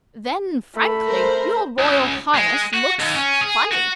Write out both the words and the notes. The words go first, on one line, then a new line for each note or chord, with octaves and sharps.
"Then, frankly, your Royal Highness looks--funny."
A3 B5
A#4 C5
C#2
G#3
F#4
D#2
C#4
G#4
F#4